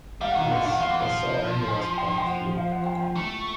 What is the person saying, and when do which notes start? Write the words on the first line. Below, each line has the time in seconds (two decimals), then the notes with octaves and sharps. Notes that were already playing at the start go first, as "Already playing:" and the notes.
Yes, I saw Angela's point of view.
0.21 G3 F5
0.31 D#3 F#5
0.41 F5
0.51 D3 F#5
0.61 D#3 F5
0.71 F#5
0.80 F3 F5
0.90 E3 F#5
1.00 F3 F5
1.68 G#5
1.98 G5
2.18 G5
2.26 F#5
2.57 F5
2.71 F#5
2.86 G5
2.94 G#5
3.00 G5
3.15 A3